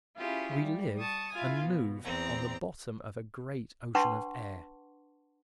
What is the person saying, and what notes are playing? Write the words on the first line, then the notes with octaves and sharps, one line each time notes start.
We live and move on the bottom of a great ocean of air.
C#4 E4 F4 G4 G#4
G3
A5 C#6 D#6
E4 F4 F5 G#5
B2
E2 C4 A#5
D4 B4 F#5 A5 C6 C#6